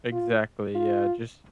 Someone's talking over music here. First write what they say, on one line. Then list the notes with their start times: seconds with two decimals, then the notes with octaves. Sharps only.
Exactly, yeah, just
0.12 F4
0.75 F4